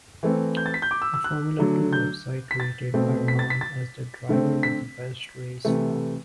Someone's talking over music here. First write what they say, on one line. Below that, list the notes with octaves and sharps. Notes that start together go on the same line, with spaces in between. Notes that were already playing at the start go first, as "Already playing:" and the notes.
The Formula Two website rated Armaan as the "Driver with the Best Race Form".
E3 A3 C4
G6
A6
B6
G6
D6
E6
E6
F#6
D3 F#3 A3
G6
B6
A6
B2 A3 C4
B6
A6
B6
A6
D3 A3 C4
B6
C3 E3 A3